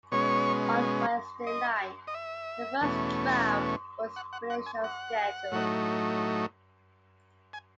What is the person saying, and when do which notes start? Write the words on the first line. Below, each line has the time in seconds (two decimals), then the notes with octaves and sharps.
On Wednesday night, the first draft was finished on schedule.
0.11 B2 G#3 C#4 C#5
1.47 D#5
2.07 D#5
2.14 E5
2.81 E2 B2 A3 C#4
4.16 F#5
4.33 F#5
4.50 F#5
4.66 G#5
4.84 F#5
5.52 A2 F#3 A3 D#4
7.53 G#5